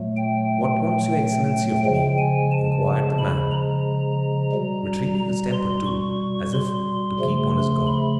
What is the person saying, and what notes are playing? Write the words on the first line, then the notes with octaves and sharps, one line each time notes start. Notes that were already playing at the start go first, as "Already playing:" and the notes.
"What wants your excellency of me?" inquired the man, retreating a step or two, as if to keep on his guard.
Already playing: A#2 F#3 A3
G5
C#3 F3 G#3 G5
G#5
A5
B5
A#5
B2 G3
A#5
C6
C#6
C6
C#3 F3 A3
B5